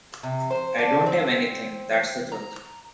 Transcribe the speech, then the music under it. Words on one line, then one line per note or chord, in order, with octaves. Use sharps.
I don’t have anything, that’s the truth!
C3
C5
D4
C4
A#5